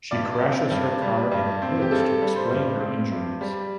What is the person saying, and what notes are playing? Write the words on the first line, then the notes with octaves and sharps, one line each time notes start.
She crashes her car in the woods to explain her injuries.
G2 D5
C4
G2
G3
G2
C4
G4
G2 A4
G3
C5
G2
C4
G2
G3